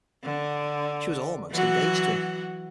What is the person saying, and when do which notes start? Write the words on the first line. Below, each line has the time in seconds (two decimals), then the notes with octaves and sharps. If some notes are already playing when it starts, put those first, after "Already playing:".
She was almost engaged to him.
0.24 D3
1.52 E3 F#3 F#4